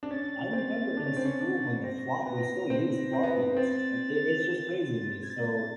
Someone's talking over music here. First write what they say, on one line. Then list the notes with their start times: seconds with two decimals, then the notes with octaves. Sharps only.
I remember in school when the flop we still used floppy disks. It it's just crazy to me. So
0.03 D4
0.10 C#4 A6
0.53 C4
0.97 D4
1.06 C#4
1.16 C4
1.25 C#4
1.40 D4
1.83 C4 A#6
2.26 B3
2.70 C4
3.13 C4
3.23 B3
3.42 B3
3.57 C4 A6
5.23 G#6
5.30 A6